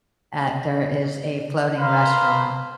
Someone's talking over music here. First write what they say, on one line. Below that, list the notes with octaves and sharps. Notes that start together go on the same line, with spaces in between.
at there is a floating restaurant
A#3 B4 C5 F5 A#5 B5